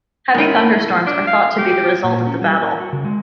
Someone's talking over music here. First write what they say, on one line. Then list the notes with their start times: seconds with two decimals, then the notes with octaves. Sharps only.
Heavy thunderstorms are thought to be the result of the battle.
0.34 D#3 G#3 C#4 E4 A#4 G5 B5
1.06 D4
1.27 F5
1.58 G4
2.04 A#2
2.27 C#4
2.42 G3
2.62 A#4
2.80 F#4
2.93 C#3
3.05 G#3